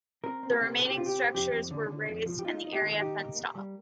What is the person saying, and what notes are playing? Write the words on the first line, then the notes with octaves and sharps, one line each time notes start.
The remaining structures were razed, and the area fenced off.
C4 A#4
C4
A4
C3
C3 A4
G4
C3 F4
G4
C4
F2 G4
F2
D3
D3
F2
F3
G4
D#4 F4
F4
D#4
G4
D#3 A4
D#4 G4
A#3
A#3
G3